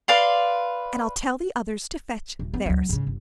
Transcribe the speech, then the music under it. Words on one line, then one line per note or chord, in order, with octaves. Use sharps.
And I'll tell the others to fetch theirs.'
B4 D5 F5 C6
D#1
B3
D2 F#3
G#2 C#3
G1